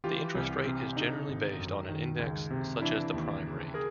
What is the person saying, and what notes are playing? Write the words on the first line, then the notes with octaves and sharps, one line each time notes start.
The interest rate is generally based on an index, such as the prime rate.
E3 F4 G4
C2
C3
D3 D#4
G#1
F#2
D#3
C#2
C3
E3 D4 E4
D#2
C#3
G#4 A#4